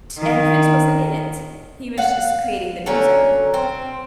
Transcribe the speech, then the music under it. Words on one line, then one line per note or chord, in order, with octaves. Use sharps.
and Prince wasn't in it, he was just creating the music.
D#3
F5 F#5
D3 F#3 C#4 A#4
C4